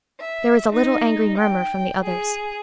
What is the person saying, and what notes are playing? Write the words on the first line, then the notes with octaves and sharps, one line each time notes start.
There was a little angry murmur from the others.
E5
D#4
G5
G#4